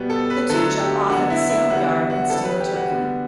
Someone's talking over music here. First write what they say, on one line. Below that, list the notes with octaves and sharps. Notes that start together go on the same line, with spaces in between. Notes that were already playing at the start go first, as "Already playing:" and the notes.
The two jump off at the Salem yard and steal a turkey.
Already playing: B2 G3 B3
A4
B4
D3 F#3 A3 A4
G4
D3 F#3 B3 F#4
E4
E4
D3 G3 B3 F#4
E4
F#4
C#3 E3 G3 A4
B4
G4
F#4
D3 G3 B3